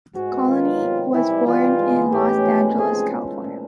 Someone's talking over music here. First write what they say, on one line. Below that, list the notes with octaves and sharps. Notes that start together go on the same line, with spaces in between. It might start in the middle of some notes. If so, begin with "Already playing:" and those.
Cooley was born in Los Angeles, California.
G#2 F#4
B3
D#3 F4
F#3
C3
C3
E3 E4
G3
E3 F4
D#4
G#3
B3
A2 G4
C#4
F3
G#3
C3 G#4
C#4
F3
A3
A#2